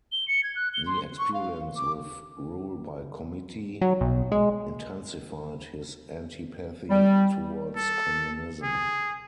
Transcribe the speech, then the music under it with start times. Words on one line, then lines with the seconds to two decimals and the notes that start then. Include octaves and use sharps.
The experience with rule by committee intensified his antipathy towards Communism.
0.12 G7
0.28 C#7
0.43 G#6
0.55 F#6
0.74 G7
0.86 C6
1.19 C#6
1.34 F5
1.76 D6
3.81 F#3
4.01 B1
4.32 G#3
6.90 G3
7.76 A4
8.63 G#4